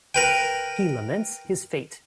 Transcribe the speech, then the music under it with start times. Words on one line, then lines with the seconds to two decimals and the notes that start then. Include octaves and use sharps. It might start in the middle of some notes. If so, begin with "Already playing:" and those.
He laments his fate.
0.15 A#4 B4 G5